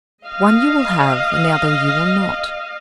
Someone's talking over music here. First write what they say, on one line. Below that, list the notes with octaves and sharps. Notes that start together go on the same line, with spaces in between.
One you will have, and the other you will not.
D#5 F5